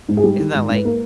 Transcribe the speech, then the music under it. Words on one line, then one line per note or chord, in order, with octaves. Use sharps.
It's not like,
G#2
G#4
G3 G4
D#3
G#2
G#2
B4
A#3 A#4